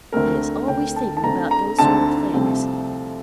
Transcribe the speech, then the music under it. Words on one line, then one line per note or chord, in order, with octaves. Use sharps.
He is always thinking about those sort of things.
D2 D3 A3 C4 A#4
D2 D3 A3 C4 G5
A5
A5
D2 D3 A3 C4 A#5
A#5
D2 D3 A3 C4 A5
C2 C3 F3 A3 C4